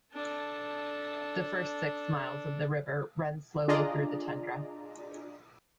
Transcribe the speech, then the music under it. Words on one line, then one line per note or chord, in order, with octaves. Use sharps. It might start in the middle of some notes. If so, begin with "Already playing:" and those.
The first six miles of the river run slowly through the tundra.
D4 A4
D4 F4 G#4 D5 D#5 A#5